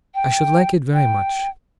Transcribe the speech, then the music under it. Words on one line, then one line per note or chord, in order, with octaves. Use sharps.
'I should like it very much.
G5
G5